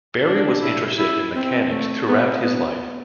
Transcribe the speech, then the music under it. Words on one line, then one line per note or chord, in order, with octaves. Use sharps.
Berry was interested in mechanics throughout his life.
D4
E4
E4
C4
A3
B3
B3